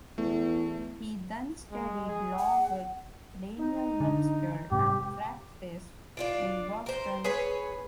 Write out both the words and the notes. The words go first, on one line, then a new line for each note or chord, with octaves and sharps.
He then studied law with Daniel Webster and practiced in Boston.
E2 A3
G#3
G#4
F#5
D#4
D3
G#2 C3 G4
D4 F4 D5
A#4 C5
G#4 B4 C#5 G#5